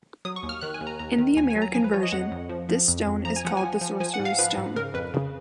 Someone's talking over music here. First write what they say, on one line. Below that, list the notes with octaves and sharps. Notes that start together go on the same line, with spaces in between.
In the American version, this stone is called the Sorcerer's Stone.
F#3 D#6
C#6
D#2
F6
D#3 F#6
G#5
D#2
A#5
D#2 A#5
D#3
D#2 G#5
G#5
F#3
A#5
F3 G#5
B4
F3 C#5
D#5
F2 F#5
F2
F3
F3
F2
F2
F3 A#5
G#5
F3 F#5
G#5
F3
F3
F3 G#5
F#5
G#2
F5
F3 B4
G#2
C#3 A#4
F2 B4
C#3